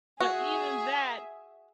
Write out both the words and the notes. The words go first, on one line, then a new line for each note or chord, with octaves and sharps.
But even that
F#4 G#4 E5